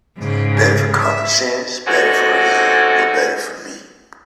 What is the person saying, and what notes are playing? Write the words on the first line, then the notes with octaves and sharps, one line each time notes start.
Better for common sense, better for him, better for me.
G#2 C#3
E5
C3 G#3 C#4 D#4 F#4 A4